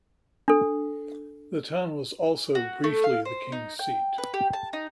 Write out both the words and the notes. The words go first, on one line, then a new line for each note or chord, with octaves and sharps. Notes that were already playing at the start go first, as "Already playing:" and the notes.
The town was also, briefly, the King's seat.
D4 A4
F#4
A3
F5
C5
D#4
G5
B4
G4
A5
D#4